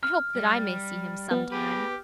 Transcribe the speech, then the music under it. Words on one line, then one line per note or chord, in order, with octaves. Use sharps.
I hope that I may see him sometime.
F6
G3
B3
G4 G#4 B4